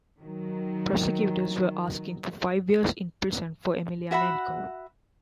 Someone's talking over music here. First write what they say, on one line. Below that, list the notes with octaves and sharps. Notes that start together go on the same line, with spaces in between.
Prosecutors were asking for five years in prison for Emelianenko.
D#3 F#3
F#4 E5 F#5 B5